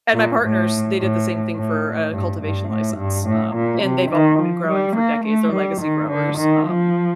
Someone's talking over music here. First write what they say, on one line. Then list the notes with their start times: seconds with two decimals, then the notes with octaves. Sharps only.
and my partners, they did the same thing for a cultivation license, um, and they've all been growing for decades, they're legacy growers, um
0.14 A#2
0.42 A2
0.99 A2
1.55 A2
2.13 G2
2.41 G2
2.69 A2
2.97 G2
3.26 A2
3.54 A#2
3.83 C3
4.11 D#3
4.39 F3
4.69 G3
4.96 A#3
5.25 A3
5.53 G3
5.81 D#3
6.09 D3
6.38 D#3
6.67 F3